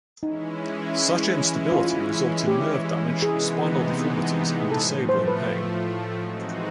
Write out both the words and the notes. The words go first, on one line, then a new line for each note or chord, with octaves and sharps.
Such instability results in nerve damage, spinal deformities, and disabling pain.
E3 G#3 C#4 D#4 E4
E3 G#3 C#4 E4 F4
G4
C3 E3 G#3 B3 D#4 G#4
A2 F3 A3 A4
C5
B4
E3 G#3 C4 D#4 F#4